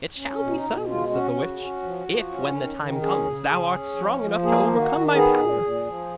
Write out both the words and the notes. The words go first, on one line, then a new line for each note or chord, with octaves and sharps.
'It shall be so,' said the witch, 'if, when the time comes, thou art strong enough to overcome my power.
C#4
B2
D#4
B2
G#3 F4
C#4 F#4
C#3 F#4
C#4
F3
F3
C#4
D#3
D#3
C#4 G#4
C#3
C#3
C#4
F3
F3
A#3 G#4
D#3
F#4
D#3
B3 G#4
A#2
A#2
F3